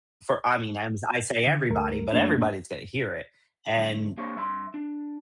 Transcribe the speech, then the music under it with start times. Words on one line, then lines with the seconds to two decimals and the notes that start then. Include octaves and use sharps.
for, I mean, I'm I say everybody, but everybody's gonna hear it, and
1.47 D3
1.70 D2 A3 A#4
2.13 F#2 A3 A#3 D4
3.77 D2 G2 A3
4.17 A#3 D4 G4 C5 C#5
4.36 G2 E5 B5 C6
4.74 D4